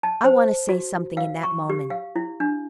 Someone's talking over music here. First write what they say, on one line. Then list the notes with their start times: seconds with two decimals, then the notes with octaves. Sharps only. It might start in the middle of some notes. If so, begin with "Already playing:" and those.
I want to say something in that moment.
0.03 A5
0.24 C5
0.69 F#4
1.17 F5
1.43 C#6
1.70 G4
1.90 F5
2.15 E4
2.40 D4